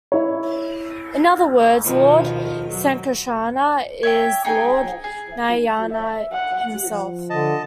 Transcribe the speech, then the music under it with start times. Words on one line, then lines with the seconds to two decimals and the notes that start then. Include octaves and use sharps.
In other words, Lord Sankarshana is Lord Narayana himself.
0.12 E4 C#5
1.84 B2 D#3 F3
2.70 F#3
4.03 C#5 E5 G5
4.45 D#4 G#4 G5 G#5
5.04 G#4
5.90 E5
6.33 F#5
6.89 F3
7.30 D3 D#5 A5